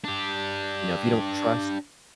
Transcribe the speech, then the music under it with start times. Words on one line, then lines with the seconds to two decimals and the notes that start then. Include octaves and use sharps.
you know, if you don't trust,
0.05 D4 G4